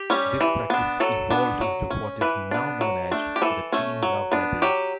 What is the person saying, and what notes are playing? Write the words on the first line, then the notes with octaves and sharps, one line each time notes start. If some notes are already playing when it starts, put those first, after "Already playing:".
This practice evolved into what is now known as The Team Love Library.
Already playing: G4
G3 C#4
E3
B3 D4
F#3 A4
B3 D4
F#3
C#4
E3 B4
B3 D4
F#3
A3 D4
G4
E3 A4
A3 C#4
F#3
B3 D4
F#3 G4